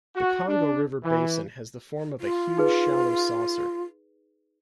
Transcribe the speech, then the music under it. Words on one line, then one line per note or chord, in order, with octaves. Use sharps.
The Congo River basin has the form of a huge, shallow saucer.
F#4
D4
E3
F4
D#4 G#4 B4